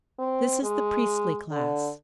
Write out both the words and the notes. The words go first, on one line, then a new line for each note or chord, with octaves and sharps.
This is the priestly class.
C4
G#3
D3